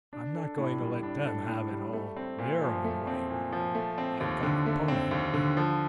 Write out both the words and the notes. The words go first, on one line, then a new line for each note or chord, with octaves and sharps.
I'm not going to let them have it all their own way while I've got a pony under me.
D4
A4
A2
G3
D4
A4
A2
G3
A3
C4
A#2
F3
A3
C4
A#2
F3
A3
C4
D#2
D3
A3
C4
D#2
D3
F3